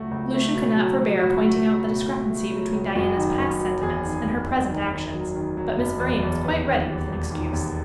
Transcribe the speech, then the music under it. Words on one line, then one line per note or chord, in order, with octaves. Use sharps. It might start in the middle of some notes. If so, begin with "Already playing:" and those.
Lucian could not forbear pointing out the discrepancy between Diana's past sentiments and her present actions; but Miss Vrain was quite ready with an excuse.
Already playing: C#2 F#3 A3 F#4
C#2
A3
B2
F#3
F#3
C#2 F#4
A3
F#3
B2
A3
A3
F#3
C#2
F#1 F#4
D#3
F#1
F#3
E2 G#4
D#3
E2
F#1
D#3
D#3
F#3
D#3
F#3
F#1
E2
E2
D#2 B4
D#3
D#2
E1
D#3
D#2